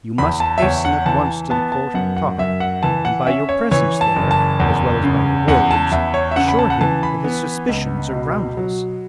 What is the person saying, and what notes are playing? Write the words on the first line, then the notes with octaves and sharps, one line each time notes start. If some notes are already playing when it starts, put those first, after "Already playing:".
You must hasten at once to the court of Ptarth, and by your presence there as well as by your words assure him that his suspicions are groundless.
E2 B5
A5
E5
E2 C#5
F#5
E3 A5
B3 A5
A5
F#2 F#5
F#5
F#2 E5
F#5
E3 A5
F#5
C#4 E5
C#5
E3 C#5
A5
F#1
A5
E2
C#3
E2 F#5
A5
E2 E5
C#5
E5
C#3 F#5
B5
A5
F#5
E3 A5
B5
B3
C#2
B2
F#3